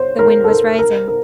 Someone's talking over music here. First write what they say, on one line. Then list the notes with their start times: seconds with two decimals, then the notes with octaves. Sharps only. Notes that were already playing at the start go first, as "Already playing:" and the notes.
The wind was rising.
Already playing: C5 C#5
0.19 A#4
0.44 A4
0.48 A#4
0.79 A#4
1.08 A#4